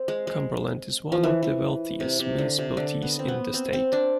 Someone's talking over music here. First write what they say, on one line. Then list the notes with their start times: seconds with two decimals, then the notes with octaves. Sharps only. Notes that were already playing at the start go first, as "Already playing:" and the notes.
Cumberland is one of the wealthiest municipalities in the state.
Already playing: C4
0.08 G#3
0.27 G#3
1.12 F3
1.23 E3
1.43 E3
2.00 C3
2.19 C3
2.38 D3
2.59 C3
2.77 D3
3.02 B3
3.19 C4
3.28 B3
3.54 C4
3.73 C4
3.93 D4